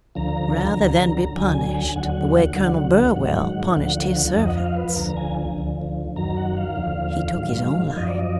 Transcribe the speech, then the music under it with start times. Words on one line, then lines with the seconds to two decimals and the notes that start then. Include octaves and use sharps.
Rather than be punished the way Colonel Burwell punished his servants, he took his own life.
0.15 D2 D3 F3 A#5
0.76 D2 D3 F#3
1.36 D2 D3 F#3 G#5
1.96 D#2 D3 F#3 F#5
2.56 D2 D3 F#3 F#5
3.16 G#2 D#3 F#3 F#5
3.76 D2 D3 F3 F#5
4.36 F2 F3 D#5
4.48 F#5
4.57 F5
4.77 B4
4.96 D2 D3 F3 A#5
5.17 G#5
5.57 D2 D3 F3
6.16 F#2 D#3 F#3 A#5
6.37 F#5
6.57 F5
6.76 D#2 D3 F3
7.37 G#2 D#3 F#3
7.97 F#2 F3 D#5
8.08 D5
8.19 D#5